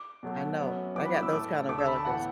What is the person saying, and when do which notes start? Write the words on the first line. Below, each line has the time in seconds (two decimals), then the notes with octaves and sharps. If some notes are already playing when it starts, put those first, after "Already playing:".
I know. I got those kind of relatives
Already playing: D6
0.23 B2 F#3 A3
0.59 F#2 F#3 B3
0.95 F#2 E3 B3 D6
1.05 B5
1.15 D6
1.23 E6
1.33 A2 A3 D6
1.69 D2 D3 A3 D6
1.78 E6
1.87 B5
1.96 A5
2.05 A2 E3 B3 F#5